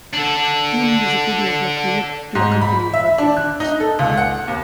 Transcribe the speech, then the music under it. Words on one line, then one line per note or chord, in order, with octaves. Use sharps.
Two music videos were created to accompany "Wuthering Heights".
D4 A4
G#2
B5
E5
D4
F#6
D#4
A4
C#2
F#5
D#2